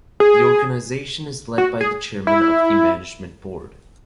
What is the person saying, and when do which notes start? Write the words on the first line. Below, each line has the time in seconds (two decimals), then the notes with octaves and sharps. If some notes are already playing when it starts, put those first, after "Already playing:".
The organization is led by the Chairman of the Management Board.
0.20 G#4
1.58 F#4
1.81 G#4
2.27 E4